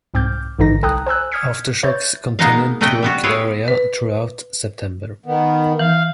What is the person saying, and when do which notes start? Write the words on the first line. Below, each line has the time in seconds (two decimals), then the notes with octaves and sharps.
Aftershocks continued to rock the area through September.
0.14 C2 G#2 C4 D6 F6 G6
0.59 A1 G#2 D3 E3 D#4 A#6
0.83 C2 A4 G5 A#5 D#6 F#6
1.06 C5 G#5 E6 F#6
1.32 D#6 F6 G6 G#6 B6 C#7
1.83 B4 C#5 E5 G6 A6
2.39 G#3 A#3 B3 D#4 D#5 F5
2.81 C3 A3 B3 D#5 F#5 G5
3.03 G3 B3 F#4
3.23 E4 F4 G#4 B4 C#5
3.68 B4
5.26 D#3 B3
5.79 E3 F5